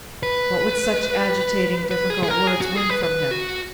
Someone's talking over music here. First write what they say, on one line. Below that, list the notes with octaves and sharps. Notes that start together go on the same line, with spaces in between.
What would such agitating, difficult words win from him?
B4
B4
G#4
G#4
A#4
G#4
F#4
G#4
B4
B4
F#4